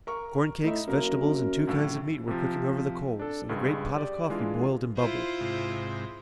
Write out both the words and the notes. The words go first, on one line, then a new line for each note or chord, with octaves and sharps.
Corn cakes, vegetables, and two kinds of meat were cooking over the coals and a great pot of coffee boiled and bubbled.
A#4 C#6
A2 D#4 E5
F#2 A#3 A#4
A#1 A2
C3 F3
D4 A4
C#2 G2 G#3
G4 D5
E3 G#3 D4 F4
E4 F4 C5
G#2 C3